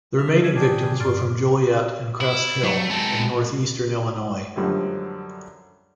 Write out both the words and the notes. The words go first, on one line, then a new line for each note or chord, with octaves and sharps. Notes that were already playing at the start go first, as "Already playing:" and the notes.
The remaining victims were from Joliet and Crest Hill, in North Eastern Illinois.
E5 F6
F#3 C#5 E5
D4 G4 G#4
A2 D#3
G2 D5 C6 F6 A6
E4
F#3 A3
G#3 B3 C4 A5
F#2 D3 F3 G3 A3